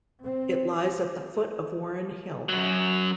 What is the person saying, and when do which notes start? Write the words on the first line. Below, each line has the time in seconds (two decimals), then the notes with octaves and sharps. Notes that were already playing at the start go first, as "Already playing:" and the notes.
It lies at the foot of Warren Hill.
0.21 C4
2.49 F#2 F#3